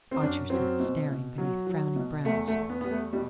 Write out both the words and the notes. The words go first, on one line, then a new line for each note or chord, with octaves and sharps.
Archer sat staring beneath frowning brows.
C4
F#2 D4
F#3 C4
B2
B2
F#3
F#3
B2
E2 A3
A3
E2
B3
G3 B3
A3
B2 G3